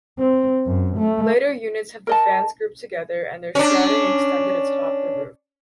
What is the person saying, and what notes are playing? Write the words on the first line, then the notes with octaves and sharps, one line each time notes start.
Later units have the fans grouped together, and their shrouding extended atop the roof.
C4
F#2
A3
A#4 D#5 A5
C#4 D4